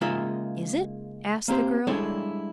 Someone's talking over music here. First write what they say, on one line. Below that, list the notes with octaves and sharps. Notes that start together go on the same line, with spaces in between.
"Is it?" asked the girl.
C#3 G#3 A#3 D#4 F4 E5
A#3 C4 G4 C5
G3 G#3 D4 E4 A4 C#5